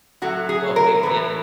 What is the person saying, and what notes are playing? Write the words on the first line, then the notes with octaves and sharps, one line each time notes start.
Oh, he w yeah.
A2 F#3 A3 F#4
G#4
A#4
A2 E3 A3 B4